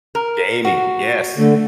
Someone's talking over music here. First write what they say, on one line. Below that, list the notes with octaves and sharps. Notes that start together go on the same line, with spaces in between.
Gaming. Yes.
A#4
F#4
D3 A3